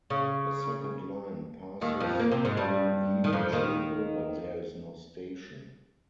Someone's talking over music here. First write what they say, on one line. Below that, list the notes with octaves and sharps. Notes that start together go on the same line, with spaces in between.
A second line passes though Heaton Chapel but there is no station.
C#3
D#2 D#3
F2 F3
A#3
C3 C4
G#2 G#3
G2 G3
D#3
F2 F3
D#2 D#3